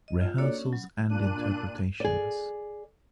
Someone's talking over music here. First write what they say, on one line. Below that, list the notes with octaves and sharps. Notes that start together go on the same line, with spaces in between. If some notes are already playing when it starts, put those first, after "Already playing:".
Rehearsals and interpretations.
D#5
F4
A#3 D4 F#4 A4 C#5 D5
C#4
F#3
A#2 D4 F#6 D#7
G#4 D5